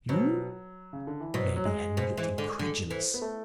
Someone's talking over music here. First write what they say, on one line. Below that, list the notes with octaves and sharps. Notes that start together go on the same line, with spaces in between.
"You?" Lady Henry looked incredulous.
B2 F#3
C#3
D3
E3
B2 F#3
F#3
G#3
B2
E3
D3
D3
E3
B3
A3